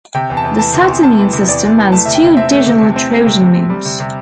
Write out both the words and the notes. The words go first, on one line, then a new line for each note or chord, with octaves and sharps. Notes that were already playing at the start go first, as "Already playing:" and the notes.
The Saturnian system has two additional trojan moons.
C3 G5
E2
A5
E2
E3 A5
C3
C6
E2
E2 A5
E3
C3
E2 D5
E2
E3
A3 A5
C3 E5
G5
C3
C4 E5
A3
C3
C3
C4
A3
C3
C3
C4
G3
C3
C3